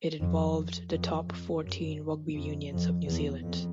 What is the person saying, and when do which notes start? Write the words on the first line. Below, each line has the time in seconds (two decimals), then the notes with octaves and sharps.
It involved the top fourteen rugby unions of New Zealand.
0.20 F2
0.91 F2
1.27 F2
1.63 F#2
2.34 F2
2.71 F2
3.06 E2
3.42 F2